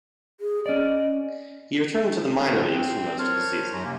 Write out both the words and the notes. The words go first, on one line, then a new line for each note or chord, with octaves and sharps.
He returned to the minor leagues for most of the season.
G#4
C#4 D5 D#5
A2 D3 B3 D4
C4
F#3 A#4 C5 C#5 A5 F6
F#2 F#3 C#4 D#4
F#2 C3 A#3